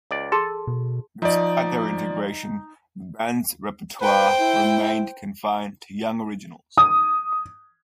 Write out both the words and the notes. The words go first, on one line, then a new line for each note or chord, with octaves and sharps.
Despite their integration, the band's repertoire remained confined to Young originals.
C#2 D5
G#4 A4 A5 C6
B2
F3 D#4 D5
B4 C5 G5
E4
D#6